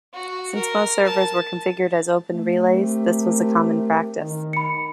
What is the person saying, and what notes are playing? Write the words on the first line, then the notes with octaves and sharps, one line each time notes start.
Since most servers were configured as "open relays", this was a common practice.
F#4
A#4
A5
A3
C4 G4 A#4
D#3
B5 C#7